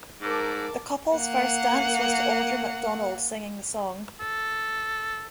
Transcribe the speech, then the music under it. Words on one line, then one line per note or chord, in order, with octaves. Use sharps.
The couple's first dance was to Audra McDonald singing the song.
G#2 A#4 A5 D6
A#3 F#5
A4